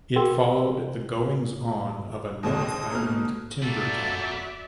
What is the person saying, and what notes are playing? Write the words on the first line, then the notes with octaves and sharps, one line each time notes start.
It followed the goings-on of a North Island timber town.
F#4 G#4 A#4 G5
D#2 G#3 C4 D#6
G1 B2 A#3 F6
A#2 G3 F#4 A4 D5 E5